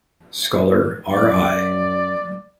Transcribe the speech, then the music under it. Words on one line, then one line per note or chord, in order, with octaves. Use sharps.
Scholar R. I.
F#2 D5